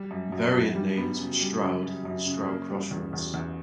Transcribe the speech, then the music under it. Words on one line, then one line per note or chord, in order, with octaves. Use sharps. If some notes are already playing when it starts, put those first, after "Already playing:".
Variant names were "Stroud" and "Stroud Crossroads".
Already playing: G3
F#2
F#2
F#2
G3
B3
C#3
G3
C#3
F#2
F#2
C#3
A#3
G3
E2
E2
E2